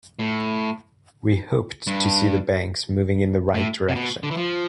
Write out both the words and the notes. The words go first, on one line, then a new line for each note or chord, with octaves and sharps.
We hoped to see the banks moving in the right direction.
A2
G2
A2
C3
B2
D3
E3
F3